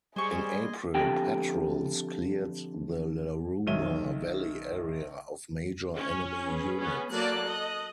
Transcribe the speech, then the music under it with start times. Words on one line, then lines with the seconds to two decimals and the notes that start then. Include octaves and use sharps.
In April patrols cleared the Laruma Valley area of major enemy units.
0.16 G3 G#4 C5 D#5 G#5 C6 C#6
0.95 F2 D3 G4 G5
3.67 B1 D#3 C#5 E5 D#7 G7
5.96 C#4
6.46 G#4 B4
6.80 B3 C#4
7.11 F#3 A#3 A4 D5 F#6
7.48 D#5